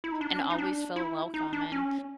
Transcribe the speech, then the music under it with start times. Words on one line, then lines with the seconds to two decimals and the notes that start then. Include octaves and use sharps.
and always feel welcome, and
0.04 E4
0.12 D#4
0.21 D4
0.31 D4
0.40 C#4
0.50 D#4
0.58 D4
0.96 E4
1.34 D#4
1.53 D4
1.72 C#4